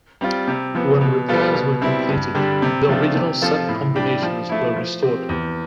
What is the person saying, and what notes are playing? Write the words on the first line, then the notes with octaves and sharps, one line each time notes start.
When repairs were completed the original set combinations were restored.
G3 C4 F4
C3
F3 B3
B2
G3 B3 F4 A4
B2
G3 C4 E4
G2
D3 G3 D4 G4
C3
F3 A3 D4 F4
C3
F3 C4 F4 A4
A2
G3 D4 G4
F3
A3 E4
F3
C4 G4
E2